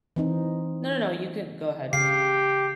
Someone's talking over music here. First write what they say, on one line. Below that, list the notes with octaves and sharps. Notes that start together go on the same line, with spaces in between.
No, no, you can go ahead.
E3 C4 D#4
C#3 G4 F5 C7